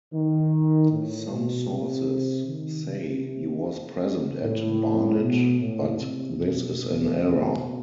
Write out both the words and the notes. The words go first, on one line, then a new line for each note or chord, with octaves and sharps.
Some sources say he was present at Barnet, but this is an error.
D#3
A2
B2
C3
D#3
C3
A2
B2
A2
C3
B2
B2